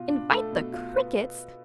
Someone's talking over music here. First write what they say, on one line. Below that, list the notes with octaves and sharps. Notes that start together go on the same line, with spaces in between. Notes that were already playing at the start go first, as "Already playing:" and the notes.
Invite the Crickets?
Already playing: B2 F4
D4
A3 A4
B2
F4
B3